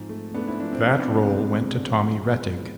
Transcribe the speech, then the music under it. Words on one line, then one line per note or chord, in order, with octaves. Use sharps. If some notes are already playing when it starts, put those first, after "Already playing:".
That role went to Tommy Rettig.
Already playing: G#2 F3 C4
A3
A3 B3 D4
C4 E4
F3 B3 D4
C4
C3 C4
B3 D4
G#3 C4
C4
G#3 B3 D4
C4
D2 C4
B3 D4
F3 C4
C4
G#3 C4
B3
F3 B3
F3